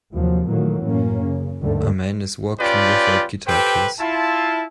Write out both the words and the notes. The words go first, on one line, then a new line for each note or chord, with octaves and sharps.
A man is walking with a guitar case.
D#2 C3 F3 F#3
A#2 D#3 E3 F#3 A3 A#3
F#2 A2 A#3 C#4
C#3
D#2 G#2 D3 D#3 G3 A3
C#4 F4 G4 B4 D5 G5
G4 A4 B4 C5 G5
E4 F4 A5